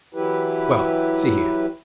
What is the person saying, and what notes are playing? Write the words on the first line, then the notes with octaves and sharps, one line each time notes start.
Well, see here.
E3 F#3 E4 G4 B4